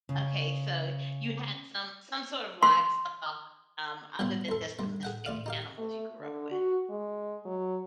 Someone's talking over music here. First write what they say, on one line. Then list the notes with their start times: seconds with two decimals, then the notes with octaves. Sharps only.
Okay. So, you had some some sort of livestock, um, other than just domestic animals you grew up with.
0.09 C#3
2.63 C6
4.19 G2 B2 F3 B3 C4
4.49 F2 A4
4.79 G2 C4
5.03 G#4 F#5 G5
5.26 A1 D5 F5
5.46 D#4 G4 F5
5.78 A3
6.21 D3
6.51 F#4
6.89 G#3
7.45 F#3